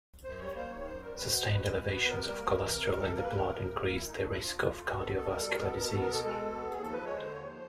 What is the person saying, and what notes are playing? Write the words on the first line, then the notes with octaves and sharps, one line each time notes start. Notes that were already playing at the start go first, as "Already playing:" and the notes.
Sustained elevations of cholesterol in the blood increase the risk of cardiovascular disease.
F#2 C5
G3 C#5
A#3 C5
D#3 C#5
F#2 C5
G3 A#4
B2 B4
C5
B3
C5
B2 B4
G#3
B2
B3
C3 A#4
G3
A#3
E3
C3
G3
C3 A4
A#3 A#4
B4
C3 A#4
F3
C3
A#3
A#2 E4
A3 D#4
D4
A#2 E4
F3 F4
A#2
A3
B2 F#4
B3 A4
B2 A4
G3 A#4
A4
B2 A#4
B3 A4
B2 A#4
A4
B3
A#4
B2 A4
G#3 A4
B2
B3
D#2 G#4
F3 A4
B4
G#3 C#5
D3 C5
D#2 C#5
F3 C5